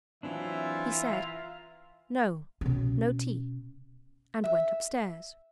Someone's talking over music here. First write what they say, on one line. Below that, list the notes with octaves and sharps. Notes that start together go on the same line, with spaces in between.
He said, "No; no tea," and went upstairs.
E3 F#3 C4 D4 F4 E5
F5 A#5
B2 C#4
E5